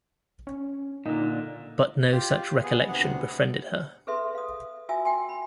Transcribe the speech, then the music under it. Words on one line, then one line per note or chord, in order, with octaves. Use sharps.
But no such recollection befriended her.
C#4
A#2 D3 D#4
F4 G4
B3 G#4
D2 C3 B3 F#5
G#4 A4 B4 E5 C6
F5 D#6
F4 F#4 E5 G#5 E6
G5 G#5 C6
B5